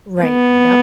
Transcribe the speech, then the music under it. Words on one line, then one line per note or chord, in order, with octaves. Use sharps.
Right, yup,
B3